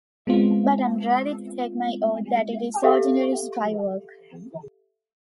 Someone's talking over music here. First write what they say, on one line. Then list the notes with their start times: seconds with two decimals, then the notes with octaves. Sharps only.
But I am ready to take my oath that it is ordinary spy work.
0.27 G#3 B3 C4 F4
2.83 G4 A4 E5 F5